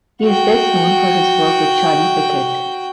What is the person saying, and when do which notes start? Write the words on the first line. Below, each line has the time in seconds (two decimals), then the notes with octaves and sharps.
He is best known for his work with Charlie Pickett.
0.23 F#4 G5